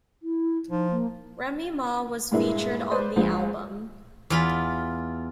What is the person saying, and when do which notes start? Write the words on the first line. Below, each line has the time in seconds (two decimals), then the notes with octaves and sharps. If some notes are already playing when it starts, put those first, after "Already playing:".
Remy Ma was featured on the album.
0.23 E4
0.70 F3 D#4
0.90 A#3
2.31 G2 A#2 E3 G#3 A#3 E4
2.91 B4 C5 D5
3.16 C#2 F3 G#3
4.30 E2 F4 B5